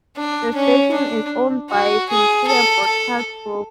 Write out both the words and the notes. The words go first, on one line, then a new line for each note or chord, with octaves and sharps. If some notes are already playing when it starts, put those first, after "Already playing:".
The station is owned by Sinclair Broadcast Group.
D4
C#4
D4
F#4
G#4
A4
A4